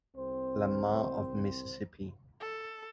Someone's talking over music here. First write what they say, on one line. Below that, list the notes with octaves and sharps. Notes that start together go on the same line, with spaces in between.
Lamar of Mississippi.
C2 C4 C5
A4